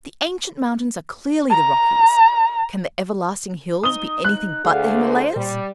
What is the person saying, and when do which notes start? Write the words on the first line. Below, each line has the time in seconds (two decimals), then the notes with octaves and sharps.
The ancient mountains are clearly the Rockies; can the everlasting hills be anything but the Himalayas?
1.50 A#5
3.83 D#4 D#6 G7
4.25 D#4 F#6
4.64 D2 G#4 A4 F5 F#5
5.03 C5
5.36 A#2 G3